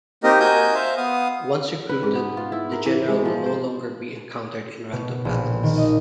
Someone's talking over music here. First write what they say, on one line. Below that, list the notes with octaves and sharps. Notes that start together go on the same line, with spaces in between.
Once recruited, the general will no longer be encountered in random battles.
A#3 C4 D#4 G4 A#4 D#5
F#4 A#4 D#5 G#5 G6
C5 E5 F5
B3 F5 D#6
B4
G#2
B3
F4
E4
A#4
E3
G#3
F3
C5
B2
A#1
D#3
D#5